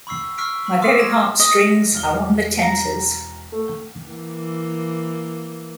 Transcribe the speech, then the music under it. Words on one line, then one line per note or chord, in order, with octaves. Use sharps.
My very heart-strings Are on the tenters.
B5 C#6 E6 C7
C#6 E6 F6 B6 C7 D7
B5 C#6
C6 D6 D#6 F6
G#6 A#6 E7
D#5
E1 F6 G7
A#5
A3
E3 A#3